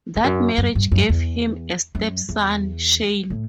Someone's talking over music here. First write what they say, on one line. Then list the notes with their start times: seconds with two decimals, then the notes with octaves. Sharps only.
That marriage gave him a stepson, Shane.
0.16 E2
0.24 F#2
0.58 F#2
0.75 G2
0.92 F#2
1.09 E2
1.95 F#2
2.29 E2
3.30 A2